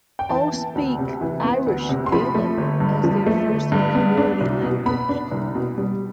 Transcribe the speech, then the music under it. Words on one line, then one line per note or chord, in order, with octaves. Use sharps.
All speak Irish Gaelic as their first and community language.
G5
E3 A5
B3
D2
C3
E3
B3
D2
C3
C6
F3 B5
A3
G1
G2
F3
A3
G1
G2
B3
D4
C2
B2
B3 B5
D4
C2
B2
G3